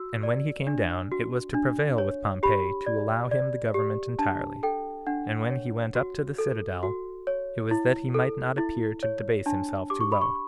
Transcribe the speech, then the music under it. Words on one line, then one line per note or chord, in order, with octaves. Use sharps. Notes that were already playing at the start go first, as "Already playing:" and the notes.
And when he came down, it was to prevail with Pompey to allow him the government entirely; and when he went up to the citadel, it was that he might not appear to debase himself too low.
Already playing: F#4 E6
D5
D4
F#4
D4
C#5
G4 B5
D5
D5
G4
D4 A5
A4 G5
D4 F#5
C#5
F#4
A4
F#4
C#5
E4
A4
E4
C#5
D4 A5
G4 D6
C#6
B5
C#6